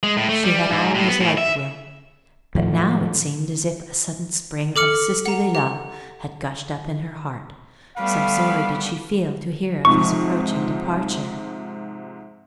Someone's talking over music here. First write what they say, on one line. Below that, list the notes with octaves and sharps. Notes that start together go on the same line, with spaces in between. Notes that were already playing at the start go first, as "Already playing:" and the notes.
She had always liked Will; but now it seemed as if a sudden spring of sisterly love had gushed up in her heart, so sorry did she feel to hear of his approaching departure.
G#3
A2
A3
G3
G#2
A2
B3
A2
E5
A2 D#3 F3
A4 D6 F6 C#7
F#5 A#5
G4
G3 A3 B3 F5 B5
G#2 C3 F3 C#6